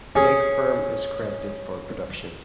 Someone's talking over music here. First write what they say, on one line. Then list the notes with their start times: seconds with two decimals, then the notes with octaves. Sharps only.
Egg Firm is credited for production.
0.16 C#4 G#4